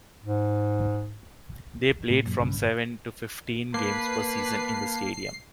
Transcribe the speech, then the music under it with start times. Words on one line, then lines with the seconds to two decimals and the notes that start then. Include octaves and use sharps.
They played from seven to fifteen games per season in the stadium.
0.23 G#2
2.10 A2 A3
2.23 F#2 A#2
2.39 B1 G2 C#3
2.56 G1
3.74 A#3 B4 A5 C7